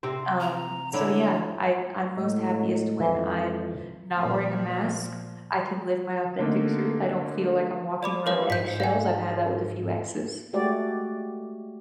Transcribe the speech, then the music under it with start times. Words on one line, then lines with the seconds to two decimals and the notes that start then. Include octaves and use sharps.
Um, so, yeah, I'm I'm most happiest when I am not wearing a mask, I can live my authentic truth, I don't feel like I'm walking around eggshells. I've had that with a few exes.
0.03 C3 C4 C5
0.40 A#5
0.93 D3 D4 E4 C#5
2.17 A2 G#3 C#5 D#5
3.00 F2 E3
4.17 A#2 F3
6.39 D3 A3 A#3 C4 D#4
8.03 D5 B5 D6
8.26 E3 G3 A#4 C#5 F5
8.50 G#2 G6 B6
8.80 F5 G#5
10.53 G#3 A3 F#4 G4 D5